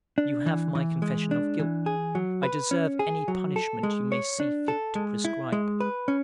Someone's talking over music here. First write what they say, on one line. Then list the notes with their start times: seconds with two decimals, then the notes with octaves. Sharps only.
You have my confession of guilt, I deserve any punishment you may see fit to prescribe.
0.18 D4
0.46 E3
0.75 E3
1.02 G#3
1.31 D4
1.59 E3
1.86 G#4
2.15 F#3
2.43 B4
2.71 C#4
2.99 G#4
3.28 F#3
3.56 A4
3.83 G#3
4.12 C#5
4.40 D4
4.68 A4
4.95 G#3
5.25 E4
5.52 G#3
5.80 B4
6.08 C#4